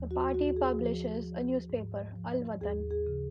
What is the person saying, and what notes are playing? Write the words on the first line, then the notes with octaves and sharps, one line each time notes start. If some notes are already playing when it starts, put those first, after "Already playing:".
The party publishes a newspaper, "Al Watan".
Already playing: D#2 F3
F#4
D#2 F#4
G#4
F3
F3
G#2
F3
D#2 G#4
G#4
C#3